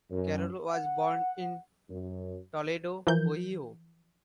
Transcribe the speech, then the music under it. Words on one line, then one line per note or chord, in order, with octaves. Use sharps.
Carroll was born in Toledo, Ohio.
F#2
F#5
F#2
E3 F3 A#4 G6